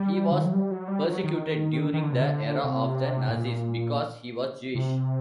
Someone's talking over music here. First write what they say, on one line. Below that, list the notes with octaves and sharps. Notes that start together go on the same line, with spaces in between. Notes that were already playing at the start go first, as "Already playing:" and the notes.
He was persecuted during the era of the Nazis because he was Jewish.
Already playing: G3
D3
D#3
F#3
G3
F#3
G3
F#3
D#3
D#3
D3
C3
D3
C3
A2
A#2
C3